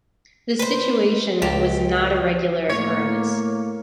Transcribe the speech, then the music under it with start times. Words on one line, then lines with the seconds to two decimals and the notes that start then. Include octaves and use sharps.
The situation was not a regular occurrence.
0.59 B4 C5
1.42 C#2 G4 A5 A#5
2.69 A2 A#3 C#5